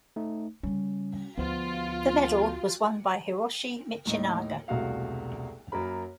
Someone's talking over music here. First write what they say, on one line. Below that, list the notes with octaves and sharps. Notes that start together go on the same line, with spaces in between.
The medal was won by Hiroshi Michinaga.
A3 D#4
C#3 G3 C#4
D2 F3 B3 F4
D#2 A2 D#4
E1 C2 A3 F#4 F5
F#2 A#3 A#4 B5